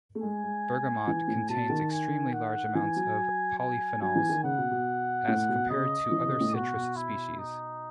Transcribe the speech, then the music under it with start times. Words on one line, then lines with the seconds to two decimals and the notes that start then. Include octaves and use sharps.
Bergamot contains extremely large amounts of polyphenols, as compared to other citrus species.
0.15 A3
0.23 G#3 G#5
0.44 G#3
1.07 E3
1.28 A2
1.49 B2 A5
1.69 D#3
1.92 G#5
2.33 F#5
2.75 E3 G#5
2.96 F#3
3.59 G#5
4.02 F#3 G#5
4.16 E3
4.29 D#3
4.44 C#3 F#5
4.58 B2
4.71 B2
5.28 A2
5.49 B2
5.70 C#3 D#5
6.12 E3
6.26 C#3
6.40 A2
6.54 B2 F#4
6.76 B2
6.96 E4
7.39 D#4